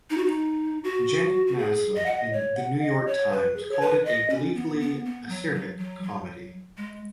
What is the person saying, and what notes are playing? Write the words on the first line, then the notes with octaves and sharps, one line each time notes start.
Janet Maslin in "The New York Times" called it a "gleefully acerbic comedy".
D#4
F#4
D#4
F#4
F#4
G#4
D#5
F#5
D#5
C#5
F#5
D#5
C#5
B4
G#4
C#5
B4
D#5
C#4
B3
B3
B3
F#3
F#3
F#3
F#3
G#3